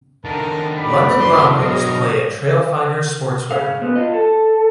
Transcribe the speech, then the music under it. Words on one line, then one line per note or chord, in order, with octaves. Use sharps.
London Broncos play at Trailfinders Sports Ground.
D3 D#3 A#4 A5
F#2 D5 B5
A2 A3 D4 D5 C6
B2 F#3 C#4 D4 G#4 A#4 D#5
C#3 F5
A#2 B3
F4 D#5
A4